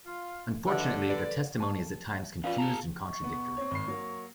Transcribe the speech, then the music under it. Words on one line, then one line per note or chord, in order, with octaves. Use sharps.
Unfortunately, their testimony is at times confused and contradictory.
F4
D3 B4 D#5 E5
A4 B4 D5
A5
C#4 F4 B4 D5 F5
G#4 A5 A#5
C#6
B2 B3
C4 C#5
G#1 B5 C7
F#3 A#3